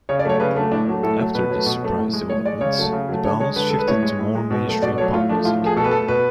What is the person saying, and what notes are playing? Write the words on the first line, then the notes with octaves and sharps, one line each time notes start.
After this surprise development, The Bounce shifted to more mainstream pop music.
C#3 C#5
D5
F#3 A3 C#5
C#3 B4
F#3 A3 D4
A2 D4
F#3 A3
A2 A4
F#3 A3
B2 B4
F#3 A3
B2
F#3 A3
A2
G#3
A2 C#5
G#3 D5
C#3 C#5
F#3 A3
C#3
F#3 A3
D3 C#5
G#3 C#5
D3 B4
G#3 A4
B4
A2 C#5
G#3
A2
G#3
B2
F#3 A3
B2 D5
F#3 A3 C#5
A2 F4
F3 A3 D4
A2 F4
F3 A3 G#4
B2 A4
B4
A3 A4
B2 B4